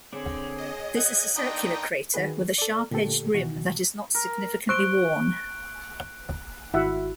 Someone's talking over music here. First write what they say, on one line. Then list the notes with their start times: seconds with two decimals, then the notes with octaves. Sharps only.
This is a circular crater with a sharp-edged rim that is not significantly worn.
0.13 D3 C4 D4 G#4 C#5
0.58 D#5
0.97 D#5 F#5 G#6
1.36 A#3 D4 D#4 D#5 G5 C6
2.14 D#3 F#4 G#4 B4
2.58 A4 D5
2.91 A#2 D3 A3 G4 A4
3.34 C#2 B2 D#3 E3 F#4
4.14 A#4
4.69 C5 C6 C#6 E6 F#6 D7 G7
6.74 G#1 E4 F#4 E5 F#5